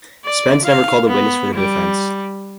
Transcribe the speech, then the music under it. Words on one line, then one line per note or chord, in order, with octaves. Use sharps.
Spence never called a witness for the defense.
D5
F5
B3
G3